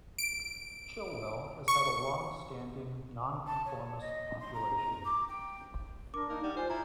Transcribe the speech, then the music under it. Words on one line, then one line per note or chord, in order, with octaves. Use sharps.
Chilwell has had a long-standing non-conformist population.
D7
C#6
A5
C#5
D#5
C6
A#5
D6
G5
D4 A#4 D6
A#3 D#4
G3 D#4 F#5
F4 C5 G#5
E4 G#4 A#5